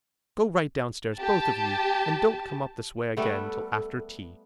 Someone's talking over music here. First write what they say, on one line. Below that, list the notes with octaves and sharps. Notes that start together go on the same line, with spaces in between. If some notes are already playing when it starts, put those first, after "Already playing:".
Go right down stairs, both of you, and don't come up this way again till after tea.
G4 A5
G3 A3 B3 A4